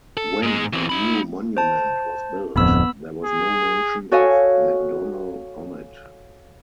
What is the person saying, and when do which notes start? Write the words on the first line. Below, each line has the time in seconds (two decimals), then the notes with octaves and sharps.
When a new monument was built, there was no mention of Macdonell on it.
0.17 A4
0.43 G#2 G#3
0.73 E3 C4
0.89 D#4 B5
1.57 C5 A5
2.56 D1 F2 B3 B5 E6
3.24 G#4
4.11 F#4 A4 C#5 D#5 F5 G#5